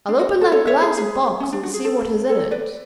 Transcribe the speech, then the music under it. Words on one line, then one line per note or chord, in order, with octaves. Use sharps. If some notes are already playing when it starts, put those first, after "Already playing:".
"I'll open that glass box and see what is in it."
D4
F#4
A4
A4 C#5
C#5 E5
G#4
G#4
C#4
D4
F#4
G#4
A4
A4 C#5
B4 D5